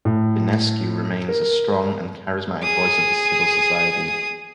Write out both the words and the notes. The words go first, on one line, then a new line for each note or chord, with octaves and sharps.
Dinescu remains a strong and charismatic voice of the civil society.
A2
A#4
G#4 D#6